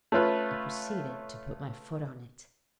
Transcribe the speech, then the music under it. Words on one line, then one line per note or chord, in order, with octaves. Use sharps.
I proceeded to put my foot on it.
A3 C#4 F4 B4